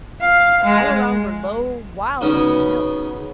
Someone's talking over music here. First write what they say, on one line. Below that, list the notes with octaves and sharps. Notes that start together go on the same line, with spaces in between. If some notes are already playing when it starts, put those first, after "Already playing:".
All around were low, wild-looking hills.
F5
G#3
C#3 B3 C#4 D#4 F#4